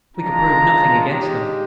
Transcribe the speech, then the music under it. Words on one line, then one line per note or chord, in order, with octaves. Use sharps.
We could prove nothing against them.
G#3 D4 F4 A#5
G#3 D#4 G4